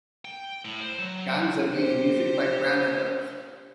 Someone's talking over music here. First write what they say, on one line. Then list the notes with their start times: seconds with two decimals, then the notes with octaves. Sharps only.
Danza V, music by Granados.
0.25 G5
0.65 A2
0.81 C5
0.99 F#3
1.71 G4 C5